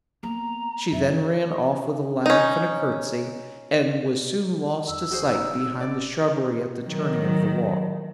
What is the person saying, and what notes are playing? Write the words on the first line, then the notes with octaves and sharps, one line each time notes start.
She then ran off with a laugh and a courtesy, and was soon lost to sight behind the shrubbery at the turning of the walk.
A#3 B3 A#5
F#2 E5
C#4 D#4
E2 E6
D#1 F#4 G#4 C5
D#4
D5
D#3 F#3